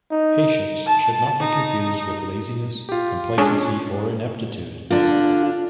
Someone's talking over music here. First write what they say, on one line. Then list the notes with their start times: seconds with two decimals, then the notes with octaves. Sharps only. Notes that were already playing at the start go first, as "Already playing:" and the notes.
Patience should not be confused with laziness, complacency or inaptitude.
0.11 D#4
0.86 A5
1.40 D#4
2.89 F4 G4
3.38 G#3 C#4 D4
4.91 D3 D4 F4